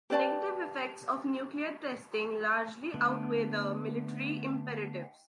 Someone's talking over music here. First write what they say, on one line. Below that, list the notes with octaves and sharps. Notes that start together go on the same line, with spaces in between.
The negative effects of nuclear testing largely outweigh the military imperatives.
G4 B4 D5 A5
D3 A3 B3